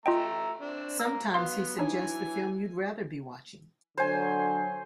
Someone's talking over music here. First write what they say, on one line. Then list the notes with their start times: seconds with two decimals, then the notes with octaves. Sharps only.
Sometimes he suggests the film you'd rather be watching.
0.06 A3 F4 D#5 E5 G5 A#5
0.61 C4 D4
1.00 A#3 A#4 E6
1.34 F#3 B3 F5 C6
1.79 E3 F#3 D4 D#4 C#5 G#5
3.97 D3 F#3 C5 G#5